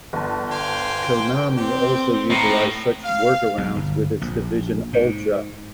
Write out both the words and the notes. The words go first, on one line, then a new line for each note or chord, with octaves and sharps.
Konami also utilized such workarounds with its division Ultra.
G1 A5
C5 F5 G5 G#5
C4 G4
A2 D#4 A#4 B4
F5
B1
G1
A#1
G#2